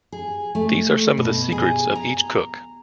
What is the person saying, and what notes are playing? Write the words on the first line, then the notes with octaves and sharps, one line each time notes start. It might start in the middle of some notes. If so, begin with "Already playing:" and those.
These are some of the secrets of each cook.
G#4
A3
B2
G#4
A#5